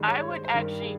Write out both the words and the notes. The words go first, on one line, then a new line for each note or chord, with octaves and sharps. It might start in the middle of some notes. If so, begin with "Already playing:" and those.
I would actually
Already playing: G2 D#3 G#3
C#5
C5
C5
G2 D#3 G3 A#4
G#4